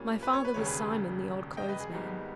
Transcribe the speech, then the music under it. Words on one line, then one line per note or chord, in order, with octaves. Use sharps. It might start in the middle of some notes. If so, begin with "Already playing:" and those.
My father was Simon the old clothes-man.
Already playing: A#2 G3 A#3 C#4
B4
C#5
B4
E1 D#2 C#3 G3 C#5
G#4 B4
D#5 G5
B4 D#5
G#4
G#1 G#2 G3 B3 D#4